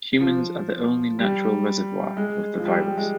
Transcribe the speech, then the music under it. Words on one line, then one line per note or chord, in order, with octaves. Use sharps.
Humans are the only natural reservoir of the virus.
F3
G3
G#3
F3
G3
G3
G#3